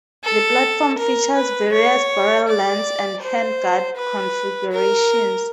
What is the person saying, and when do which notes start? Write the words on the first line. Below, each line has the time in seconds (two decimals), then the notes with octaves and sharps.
The platform features various barrel lengths and handguard configurations.
0.24 A4
0.98 A#4
1.36 B4
1.73 C#5
2.48 D5
3.23 C5
3.97 B4
4.72 A#4